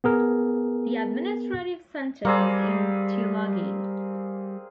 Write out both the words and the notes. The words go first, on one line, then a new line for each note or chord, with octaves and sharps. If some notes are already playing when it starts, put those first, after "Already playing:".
The administrative centre was in Tulagi.
B3 G#4 A#4
G3 A#3 C4 G#4